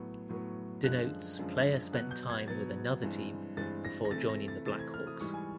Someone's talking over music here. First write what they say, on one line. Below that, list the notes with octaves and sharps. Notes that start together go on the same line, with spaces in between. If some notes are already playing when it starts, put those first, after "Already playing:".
Denotes player spent time with another team before joining the Blackhawks.
Already playing: A2 F#3 B3
A2 F#3 B3
F#2 D3 F3 G#3 F#6
F#2 D3 F3 G#3
B2 F#3 B3 F#6
G6
G#6
B2 F#3 B3 A6
G2 E3 G#3 C4
G2 E3 G#3 C4 A6
A#6
A#6
C3 E3 A3 C4 A6
A#6
A6
C3 E3 A3 C4 A6
G#6
F6
D#6
G#2 E3 G3 C#6
G#5